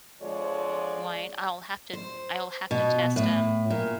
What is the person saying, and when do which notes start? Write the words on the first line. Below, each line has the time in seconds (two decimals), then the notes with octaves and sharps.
wine. I'll have to I'll have to test 'em
0.22 F2 D3 F3 G#3 C#5 D5
1.93 C5
2.71 B2
3.16 A2
3.70 A#2